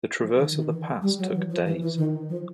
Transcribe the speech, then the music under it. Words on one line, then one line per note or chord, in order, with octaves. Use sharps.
The traverse of the pass took days.
F3
D#3
D#3
E3
G3
F#3
E3
F3
E3
E3
D#3
F3